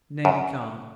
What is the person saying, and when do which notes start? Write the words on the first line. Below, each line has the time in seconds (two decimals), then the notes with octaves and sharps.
Nearly calm.
0.25 F#2